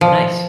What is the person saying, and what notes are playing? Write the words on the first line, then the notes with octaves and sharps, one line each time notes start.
Oh, nice.
F3